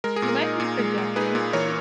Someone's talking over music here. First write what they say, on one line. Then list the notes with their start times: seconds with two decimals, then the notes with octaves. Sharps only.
You might be projecting.
0.04 G#3 A#4
0.16 G#4
0.22 A#2
0.29 A#4
0.41 D#4
0.60 A#2
0.79 G#3
0.98 A#2
1.16 D#4 G#4 B4
1.35 A#2
1.53 E3 A#4 C#5